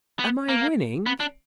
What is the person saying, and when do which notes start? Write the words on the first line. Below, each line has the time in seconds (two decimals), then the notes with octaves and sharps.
"Am I winning?"
0.19 B3
0.49 A#3
1.06 B3
1.20 D4